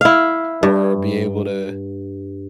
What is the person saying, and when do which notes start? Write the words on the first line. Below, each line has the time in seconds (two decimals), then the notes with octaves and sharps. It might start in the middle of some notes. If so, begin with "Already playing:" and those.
or be able to
0.01 E4 F5
0.63 G2